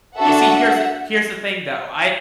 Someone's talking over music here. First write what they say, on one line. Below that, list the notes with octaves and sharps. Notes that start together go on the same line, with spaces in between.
You see, here's the here's the thing, though. I,
D4 F#4 A4 E5 F#5